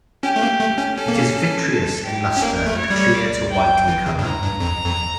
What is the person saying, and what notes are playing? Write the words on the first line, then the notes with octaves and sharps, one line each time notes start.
It is vitreous in luster and clear to white in color.
C#4 G4
A3
A#3
A3
C#4
C#4 A4
A#3
C#4
A4
G4
C#4
A#3 A#4
A3
C#5
G3
D5
G5
E3
C#3
G2
A2 A#5
G2
F2
F2